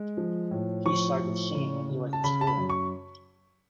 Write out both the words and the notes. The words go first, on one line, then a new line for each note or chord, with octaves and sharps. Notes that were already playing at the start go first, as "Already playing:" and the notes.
He started singing when he was in school.
Already playing: G#3
F3
A2
F3 C#6
A2
C#3
C#3
A5
C#3 B5
A5
B5
F#2
C#6